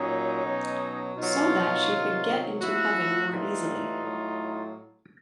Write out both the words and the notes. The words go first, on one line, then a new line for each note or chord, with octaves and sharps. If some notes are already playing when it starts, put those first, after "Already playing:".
So that she could get into heaven more easily.
Already playing: A#2 F#3 C#4 D#4
B2 F#3
B2 F#3 D#4 F4
C3 D#3 F#3
A2 F3 E4 F#4
A2 E3 G3 D#4 F4
A2 F#3